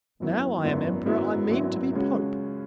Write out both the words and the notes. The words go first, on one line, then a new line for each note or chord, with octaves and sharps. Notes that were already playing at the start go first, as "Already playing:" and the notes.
Now I am emperor, I mean to be pope!
G#1 F#2 F#3 B3 E4
G#1 F#2 F#3 B3 E4
G#1 F#2 F#3 B3 E4
G#1 F#2 F#3 B3 E4
C#2 C#3 G#3 C#4 F#4